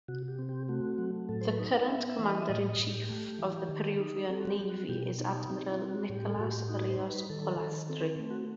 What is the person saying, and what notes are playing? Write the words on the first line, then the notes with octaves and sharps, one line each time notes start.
The current Commander-in-Chief of the Peruvian Navy is Admiral Nicolas Rios Polastri.
C3 F#4
G4
C4
G4
A3 F#4
F#3
A2 A4
C5
B4
D#4
B3 E5
E5
E3
D#5
E5
A2 D#5
D#5
A2
G4
A3
E3
D#3
D#4
C4 A4
F#4
G4
G3
F#4
B2 G4
D#4
G4
C4 G4
E4
G3
F#4
A2 G4
A4
A2 F#4
G4
D#4 F#4
C5
G3
B4
D#3 A4
D#3
C4 A4
A3
F#4